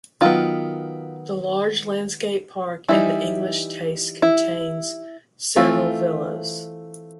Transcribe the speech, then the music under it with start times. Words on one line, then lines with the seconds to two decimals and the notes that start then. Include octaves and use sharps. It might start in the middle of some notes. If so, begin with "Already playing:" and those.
The large landscape park in the English taste contains several villas.
0.21 D#3 F#3 B3 F4
2.89 E3 G3 B3 D#4 E4
4.22 E4
5.56 E3 A3 C4 F4